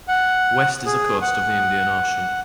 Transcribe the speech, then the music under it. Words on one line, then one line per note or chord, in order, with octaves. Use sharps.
West is the coast of the Indian Ocean.
F#5
G#4
F#5